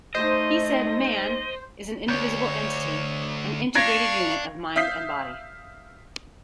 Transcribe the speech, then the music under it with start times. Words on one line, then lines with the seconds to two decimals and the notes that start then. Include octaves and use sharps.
He said Man, is an indivisible entity, an integrated unit of mind and body.
0.15 A3 D#4 C5 D#5
2.09 D2 C#5 G6
3.75 D4 F5 C#6 G#6 A#6 D7
4.76 E5 F5 D#6 G6 B6 C7